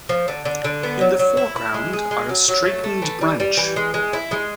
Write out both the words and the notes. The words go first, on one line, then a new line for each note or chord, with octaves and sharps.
In the foreground are a straightened branch.
F3
D3
D3
D3
B3
F#3
F#3
E4
E4
G#3
G#4
G#3
F#3
F#3
A3
A3
E3
G3
G3
E3
G#3
G#3
E4
G#3